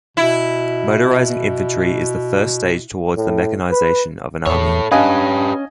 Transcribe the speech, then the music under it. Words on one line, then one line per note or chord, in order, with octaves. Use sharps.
Motorizing infantry is the first stage towards the mechanization of an army.
B2 E4
A2
B4
E2 A4 C#5
C#4 D4 G4 B4 D#5 F5 G#5